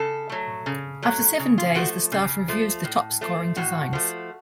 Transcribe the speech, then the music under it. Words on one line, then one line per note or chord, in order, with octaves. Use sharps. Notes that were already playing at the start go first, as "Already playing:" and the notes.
After seven days the staff reviews the top-scoring designs.
Already playing: C#3 A4
F#3 A3
C#3
F#3 A3
C#3
F4
F3 A3 F#4
C#3
F3 A3
A2
F3 A3
A2 F#4
F3 A3